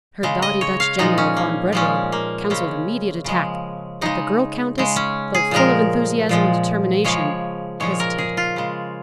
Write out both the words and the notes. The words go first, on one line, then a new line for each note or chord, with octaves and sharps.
Her doughty Dutch general, von Brederode, counselled immediate attack, but the girl countess, though full of enthusiasm and determination, hesitated.
C#3 G#3
D#5
C#5
F5
A#2 F3 G#3 D#4
C#4
A#3
A#2 F3 G#3 C#4
A#3
C#3 G#3 C#4
C#3 F3 G#3
C#3 G#3 D#4
C#3 G#3
C#4
G#4
A#2 F3 G#3 A#4
A#2 F3 G#3
C#3 F3 G#3 C#5
A#2 F3 G#3 C#5
A#4
G#4
F4
C#3 G#3